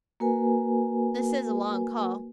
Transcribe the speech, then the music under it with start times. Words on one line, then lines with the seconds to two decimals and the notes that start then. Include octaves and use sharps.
'This is a long call.
0.20 A#3 F#4 A#4 B4 G#5